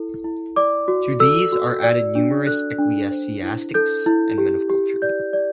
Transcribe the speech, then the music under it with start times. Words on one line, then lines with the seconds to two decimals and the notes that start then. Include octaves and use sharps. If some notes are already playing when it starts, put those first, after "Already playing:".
To these are added numerous ecclesiastics and men of culture.
Already playing: E4 A4
0.24 E4
0.56 D5 D6
0.88 F#4
1.20 A4 E6
1.52 F#4
1.83 D5
2.15 D4
2.47 A4 F#6
2.78 D4
3.11 C5
3.43 E4
3.74 A4 G6
4.06 E4
4.38 G4
4.70 G4
5.02 D5 G6
5.33 D5